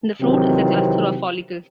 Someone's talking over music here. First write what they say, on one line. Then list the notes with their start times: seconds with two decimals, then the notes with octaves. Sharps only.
The fruit is a cluster of follicles.
0.20 C3 D#3 E3 F#3 C4